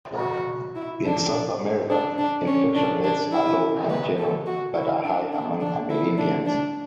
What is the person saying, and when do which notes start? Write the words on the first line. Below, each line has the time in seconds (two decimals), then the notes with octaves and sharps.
In South America, infection rates are low in general but are high among Amerindians.
0.19 F#4
0.76 E4
1.04 D4
1.90 D4
2.18 D4
2.47 C#4
2.75 D4
3.04 D4
3.32 E4
3.90 B4
4.18 A4
4.46 F#4
4.75 E4
5.04 D4
5.33 D4
5.60 D4
5.90 E4
6.18 D4
6.46 D4